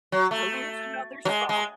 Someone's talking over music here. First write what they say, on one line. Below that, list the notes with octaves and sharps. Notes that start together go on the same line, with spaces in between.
So, there's another spot
F#3
A3
F#3
G#3
G#3